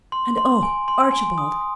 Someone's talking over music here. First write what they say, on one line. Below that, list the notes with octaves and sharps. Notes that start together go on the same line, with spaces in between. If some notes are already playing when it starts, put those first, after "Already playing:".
And, oh, Archibald!
C6
C6
G#5
C6
G#5
D#6